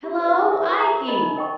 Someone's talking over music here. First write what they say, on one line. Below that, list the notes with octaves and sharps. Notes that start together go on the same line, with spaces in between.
"Hello, Ikey!"
G4
B4 D#5
E4
A#4 E5
B4
E5 A#5 C#6
A#4
D#5 G#5 B5
D#4
A#4 D#5 G5 C#6